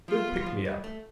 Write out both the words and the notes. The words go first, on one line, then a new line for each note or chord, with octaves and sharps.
Good pick me up.
F3 F4
A3
B3
G3
F3
G3
A3